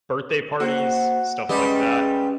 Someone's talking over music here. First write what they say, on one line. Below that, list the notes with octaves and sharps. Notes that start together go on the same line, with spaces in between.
birthday parties, stuff like that.
A#3 F#4 C5
G3 G#3 C#4 G4 B4